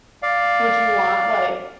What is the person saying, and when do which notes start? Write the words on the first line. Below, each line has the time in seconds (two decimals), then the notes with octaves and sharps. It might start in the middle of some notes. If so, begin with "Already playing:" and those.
Would you want, like,
0.22 D5 F5